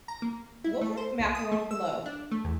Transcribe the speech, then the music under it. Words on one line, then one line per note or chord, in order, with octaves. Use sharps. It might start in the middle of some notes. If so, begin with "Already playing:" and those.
Wolfram MathWorld below.
A#5
A#3
E4
A3
C5
C2
D#6
A3
E6
D4
A3
E2